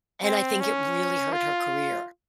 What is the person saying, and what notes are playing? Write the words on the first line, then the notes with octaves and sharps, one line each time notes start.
And I think it really hurt her career.
C4
C#4
F4